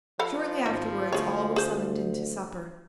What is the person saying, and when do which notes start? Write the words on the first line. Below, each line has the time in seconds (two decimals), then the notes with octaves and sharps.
Shortly afterwards all were summoned in to supper.
0.19 F3 A4 F5 B5
0.66 G#1 D#4
1.13 D2 G#4 C#5
1.56 G#4 C5